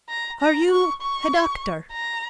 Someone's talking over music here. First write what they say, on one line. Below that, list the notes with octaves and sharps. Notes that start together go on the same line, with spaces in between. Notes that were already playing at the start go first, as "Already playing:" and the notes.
"Are you a doctor?"
A#5
A#5
C#6
C#6
A#5